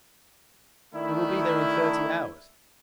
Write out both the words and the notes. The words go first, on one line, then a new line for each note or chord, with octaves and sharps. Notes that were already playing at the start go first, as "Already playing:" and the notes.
We will be there in thirty hours.
D#3 A3 D4 E4